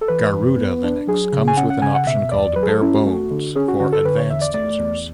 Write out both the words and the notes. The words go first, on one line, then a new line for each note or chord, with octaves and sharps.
Garuda Linux comes with an option called Barebones for advanced users.
A4
E3 B4
F#2
B3
D4
F#3 G#4
C#3
G#5
C#4 F#5
F#5
C#3 G#5
F#5
B2 E5
E2 D5
F#3 B4
G#4
A4
C#4 E4
F#4
A3
D3
C#4 G#4
F#4
D3 F#4
A4
D3 B4
C#5
E2 E5
D5
A3 D5
E2